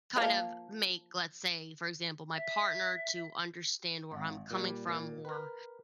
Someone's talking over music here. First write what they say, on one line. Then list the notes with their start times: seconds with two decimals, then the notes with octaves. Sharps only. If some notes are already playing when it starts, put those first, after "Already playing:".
kind of make, let's say, for example, my partner to understand where I'm coming from or
0.16 F3 A#3 F5
2.34 E5
4.12 G#1
4.51 A#2 G3
4.87 A#2
5.25 A#4 B4